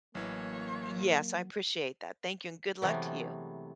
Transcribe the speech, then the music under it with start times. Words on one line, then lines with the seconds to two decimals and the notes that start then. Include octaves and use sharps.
Yes, I appreciate that. Thank you and good luck to you.
0.15 A1 E3 F#3 A#3 C#5
2.82 C3 E3 F#3 G#3 A3 B3